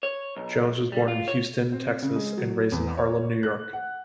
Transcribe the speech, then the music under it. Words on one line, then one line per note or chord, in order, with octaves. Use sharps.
Jones was born in Houston, Texas and raised in Harlem, New York.
C#5
B1
G3
F4
C#5
C4
C#3
G#3
F#3
E2
C#5
F#6
F#5